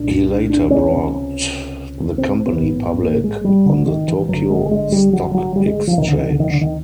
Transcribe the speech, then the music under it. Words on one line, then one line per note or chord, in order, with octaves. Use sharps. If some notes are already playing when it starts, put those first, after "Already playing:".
He later brought the company public on the Tokyo Stock Exchange.
Already playing: C2 A#2 D4
D4
C#4
C#2 C3 C#4
C4
B3
A1 G#2
A#3
G#3
G3
D3
D#3
E3
G#1 G2 D3 F#3
G#3
G#3
G3
F#3
F#3
G3
G#3
F3
D2 C3 D#3
D3
D#3
D3
D#3
D3
D#3